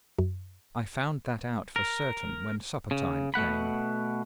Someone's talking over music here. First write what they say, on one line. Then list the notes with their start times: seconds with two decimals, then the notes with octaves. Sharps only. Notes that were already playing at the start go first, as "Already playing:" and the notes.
I found that out for certain when supper-time came.
0.19 F#2
1.76 A#4
2.91 C#3
3.34 B2 A3 F#5 B5